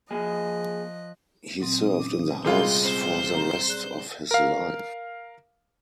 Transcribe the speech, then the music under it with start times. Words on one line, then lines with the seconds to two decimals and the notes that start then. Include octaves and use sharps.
He served in the House for the rest of his life.
0.11 F3 A#3 G#4 D#5 G#5 F#6
1.60 A#2 F#3 C4 D#6
1.95 C#4 D6
2.45 C3 G3 G#3 F4 G#4 B5 G6
2.82 C4 C5 G6
3.34 A#5
3.66 G#4 D5 F#6
4.31 A#4 F5